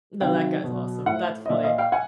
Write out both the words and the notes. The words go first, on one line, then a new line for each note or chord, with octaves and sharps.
Th that guy's awesome. That's funny.
C3 D#3 F#3 F5 G5
B2 F#3
A2 F3 E5 F#5
D#5
A#2 F3 D5 E5
D#5 F5
F5 G5
F#5 G#5